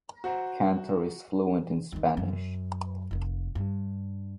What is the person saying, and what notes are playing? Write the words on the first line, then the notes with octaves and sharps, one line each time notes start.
Cantor is fluent in Spanish.
F#4 C5 F#5 A#5
D#2 D#3
F#2
F1 A#3
G2